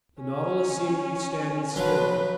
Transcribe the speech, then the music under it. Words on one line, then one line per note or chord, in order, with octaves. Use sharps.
The Nautilus seemed to be standing still.
C#4
F3 F#3 B4